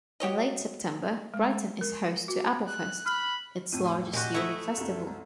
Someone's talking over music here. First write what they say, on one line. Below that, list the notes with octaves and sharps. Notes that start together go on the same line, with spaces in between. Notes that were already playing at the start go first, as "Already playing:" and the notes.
In late September, Brighton is host to Applefest, its largest yearly festival.
F#4 G4 C#5 D#5
G#3
A#4
F#4
F#6
B5 F6
F2 A2 D#7
A#2 G#3 F#4 G4
A3 E4 D#5 C#6
C2 F#2